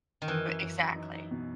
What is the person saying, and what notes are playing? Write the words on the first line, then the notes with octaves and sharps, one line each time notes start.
But exactly.
D#3
F#2 E3
F#2
F#2
F#2
D#4
D#4
B2